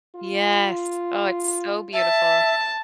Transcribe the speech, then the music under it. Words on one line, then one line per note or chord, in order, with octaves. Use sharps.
Yes, oh, it's so beautiful.
F4
E5 A5